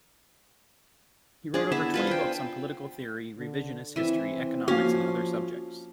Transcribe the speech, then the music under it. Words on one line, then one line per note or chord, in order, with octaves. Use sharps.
He wrote over twenty books on political theory, revisionist history, economics, and other subjects.
D4 G#4
B3 E4 E5
F4 B4 C5
G5 C6
D3
E3 C4 E5
F3 A#3 C#4 F#4 F5